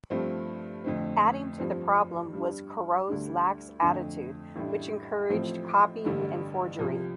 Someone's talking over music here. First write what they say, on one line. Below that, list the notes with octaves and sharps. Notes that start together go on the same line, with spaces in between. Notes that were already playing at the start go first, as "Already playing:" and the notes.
Adding to the problem was Corot's lax attitude which encouraged copying and forgery.
G2 F3 A3 C4
F2 D3 A3 C4
G2 F3 C4
G2 G3 D4
D2 D3 G3 D4
F2 D3 A3 D4
A1 A2 G3 D4
A1 A2 F3 C4
A1 G2 D3 G3 D4
C2 C3 F3